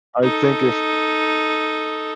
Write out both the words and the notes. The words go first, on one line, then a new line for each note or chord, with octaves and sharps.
I think i
D#4 A4